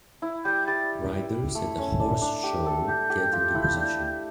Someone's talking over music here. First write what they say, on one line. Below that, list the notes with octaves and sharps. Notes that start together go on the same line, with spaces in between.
Riders at a horse show get into position.
E4
G3 G6
G3 A6
A3
C#4
D4
D4
G4
A4
G4 G6
G4
F4
E4
D4